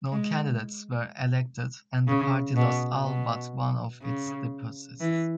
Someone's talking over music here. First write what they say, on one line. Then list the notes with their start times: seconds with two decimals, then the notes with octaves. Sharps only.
No candidates were elected, and the party lost all but one of its deposits.
0.12 G#3
2.07 C#3
2.56 B2
3.04 B2
4.02 C#3
5.00 E3